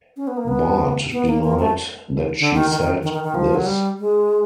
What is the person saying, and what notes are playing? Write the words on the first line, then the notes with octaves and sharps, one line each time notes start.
Bart denied that she said this.
C#4
B3
A#3
B3
B3
A#3
A#3
A3
D3
D#3
D#3
D#3
D#3
D#3
D#3
F3
F#3
G3
G#3